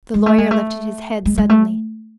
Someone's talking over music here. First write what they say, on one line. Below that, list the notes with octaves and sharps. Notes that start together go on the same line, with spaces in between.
The lawyer lifted his head suddenly.
G#3
A3
G#3
A3
G#3
G#3
A3